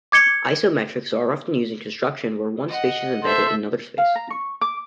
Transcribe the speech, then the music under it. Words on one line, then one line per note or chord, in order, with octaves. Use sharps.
Isometries are often used in constructions where one space is embedded in another space.
D6 G#6 C#7 G7
D#5 F#5
A4 C5 E5
F5
A#5
C#6
D6